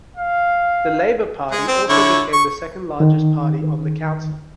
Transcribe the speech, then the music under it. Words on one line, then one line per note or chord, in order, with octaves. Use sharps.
The Labour party also became the second largest party on the council.
F5
G#3 G#4
C4
D3 E4 C#5
C#6
D#3